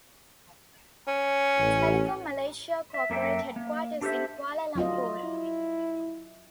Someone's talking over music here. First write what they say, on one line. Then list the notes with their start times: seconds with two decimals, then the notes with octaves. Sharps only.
Telekom Malaysia corporate headquarters in Kuala Lumpur.
1.07 C#4
1.58 A1
2.94 E5
3.10 F#2 A#3 A4 E5 G5
3.56 A#3
4.01 D4 G4 A4 B4 C5 E5
4.75 D2 F#3 F4 D#5
5.24 E4